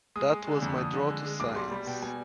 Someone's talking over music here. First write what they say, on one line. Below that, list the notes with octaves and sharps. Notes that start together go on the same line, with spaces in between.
That was my draw to science.
G#3 D#6
G#3
D3
F2
F2 D#6
D3
G#3
G#3
B1 D6
G3 C6
G3 B5
B2 G5
G3 G#5